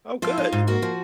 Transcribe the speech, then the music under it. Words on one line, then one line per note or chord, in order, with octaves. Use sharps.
Oh, good.
F3 F4
D#4
G#2
A#3 F#4
F3